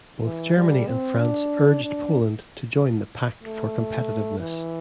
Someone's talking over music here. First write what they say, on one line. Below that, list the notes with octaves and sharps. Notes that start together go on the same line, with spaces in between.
Both Germany and France urged Poland to join the pact for competitiveness.
E3
G3
C4
D4
D4
A3
E3